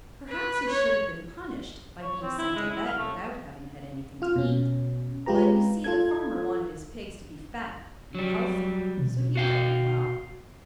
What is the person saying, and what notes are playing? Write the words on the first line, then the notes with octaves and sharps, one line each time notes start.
Perhaps he should have been punished by being sent to bed without having had anything to eat, but you see the farmer wanted his pigs to be fat and healthy, so he fed them well.
B4
C#5
C#5
C4
E4
G#3
E4
F5
A3
F4 F6
B2 C#4
G#3 F4 G4 B4 A#5
F4 A4 G#6
F#3 G3
B2
F#4 F5 G5